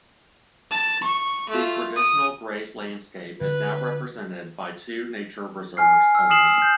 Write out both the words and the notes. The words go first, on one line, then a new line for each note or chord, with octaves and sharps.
The traditional grazed landscape is now represented by two nature reserves only.
A5
C#6
A3 F4
D#6
D3 B4
G#5 F6 C7
E6 F6
D#6 F6 C7 E7 F#7
G6